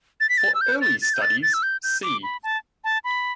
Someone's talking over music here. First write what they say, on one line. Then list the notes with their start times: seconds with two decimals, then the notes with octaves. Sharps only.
For early studies see.
0.20 A6
0.29 B6
0.38 A6
0.55 E6
0.61 G6
0.81 A6
1.02 A6
1.14 G6
1.22 A6
1.43 A6
1.54 E6
1.63 G6
1.83 G6
2.03 D6
2.23 B5
2.43 A5
2.84 A5
3.04 B5